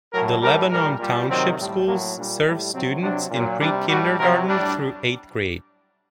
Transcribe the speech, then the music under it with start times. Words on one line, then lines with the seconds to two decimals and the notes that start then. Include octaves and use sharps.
The Lebanon Township Schools serves students in pre-kindergarten through eighth grade.
0.13 A2 F#3 A#4
0.42 A2 G3 A#4
0.71 A#2 G3 A#4
0.99 A#2 G3
1.29 C3 D#3 F#3 C4
1.58 A2 G3
1.86 A2 F#3 A#3
2.16 A#2 G3 D4
2.45 A2 G3
2.73 C3 F#3 C4
3.02 C3 F#3 D4
3.31 A#2 F#3
3.60 C3 G3 D4
3.89 A2 G3 F#4
4.19 C3 F#3 A#4
4.47 A2 G3 D4